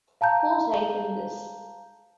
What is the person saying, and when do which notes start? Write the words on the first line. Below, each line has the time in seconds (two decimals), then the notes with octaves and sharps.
Who's right in this?
0.21 F5 A5 A#5 G6